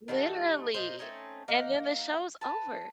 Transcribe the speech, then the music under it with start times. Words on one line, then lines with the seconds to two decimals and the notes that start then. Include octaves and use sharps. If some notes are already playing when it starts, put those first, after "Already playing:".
Literally, and then the show's over.
0.08 D#3 G3 A3 F#4
0.74 A#2 D#4 C5
0.99 A3 C4 C#4 D#4
1.48 A#3 D#4 A#4 F#5
2.41 B4 A5